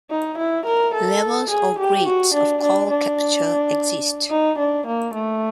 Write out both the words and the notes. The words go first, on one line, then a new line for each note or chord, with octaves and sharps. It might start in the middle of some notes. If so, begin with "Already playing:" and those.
Levels or grades of call capture exist.
D#4
E4
A#4
A4
G#4
G4
F#4
D4
D4
D4
D#4
D4
A#3
A3